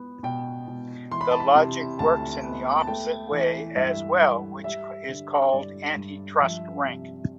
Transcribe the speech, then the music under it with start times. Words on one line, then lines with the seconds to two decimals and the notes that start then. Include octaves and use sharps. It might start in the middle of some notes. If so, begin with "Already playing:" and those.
The logic works in the opposite way as well, which is called Anti-Trust Rank.
Already playing: B3
0.23 B2 G5
0.67 B2
1.11 E3 C6
1.21 B5
1.31 A5
1.40 B5
1.55 C3
1.99 D2 A5
2.44 B3
2.81 A5
2.87 A3 G5
3.32 E3
3.75 G2 E5
4.20 G2
4.64 G3 E5
5.09 D3
5.52 G2 D5
5.96 G2
6.40 F3 E5
6.85 C3